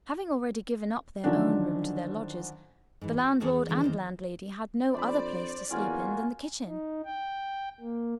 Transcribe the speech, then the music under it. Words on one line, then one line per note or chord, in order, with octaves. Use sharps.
Having already given up their own room to their lodgers, the landlord and landlady had no other place to sleep in than the kitchen.
D3 D#3 F3 F#3 C#4 D4
G#2 E3
F#4
E2 E3 C#4 G#4 A4 A5
E2
D3 E3 F3 G#3 D4
E2 B2 D#3 C5
F2 D4 C5 D5 B5
E2 A#3 C#4 F4 F#4 G#5
D#4
G5
A#3